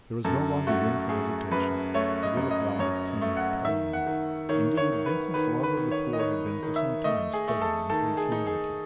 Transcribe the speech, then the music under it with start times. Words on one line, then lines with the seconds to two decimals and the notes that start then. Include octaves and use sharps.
There was no longer room for hesitation; the will of God seemed plain; indeed, Vincent's love of the poor had been for some time struggling with his humility.
0.25 F#2 A4
0.67 A3 F#4
1.09 A3 G#4
1.51 F#2 B4
1.94 A3 C#5
2.23 D#5
2.37 F#2
2.51 D#5
2.79 F#2 C#5
3.21 A3
3.37 F#5
3.65 D#3 E5
3.93 F#5
4.07 D#3
4.49 D#3 C#5
4.77 C#5
4.92 D#3
5.06 B4
5.34 D#3 B4
5.63 B4
5.77 D#3
5.91 C#5
6.13 D#5
6.19 D#3 C#5
6.63 D#3
6.76 E5
7.04 A3 D#5
7.33 G#4
7.48 A3
7.61 A4
7.90 D#3 A4
8.17 G#4
8.32 D#4
8.47 G#4